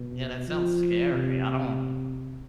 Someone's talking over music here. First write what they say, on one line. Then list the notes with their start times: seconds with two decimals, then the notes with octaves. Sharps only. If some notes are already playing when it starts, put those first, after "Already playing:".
Yeah, that sounds scary, I don't
Already playing: B2
0.48 F3
1.12 C3